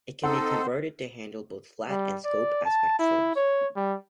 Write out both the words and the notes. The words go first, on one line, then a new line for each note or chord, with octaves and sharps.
It can be converted to handle both Flat and Scope aspect films.
C4 D#4 A4 D#5 F#5
G3
D5
A5
E4
C#5
G3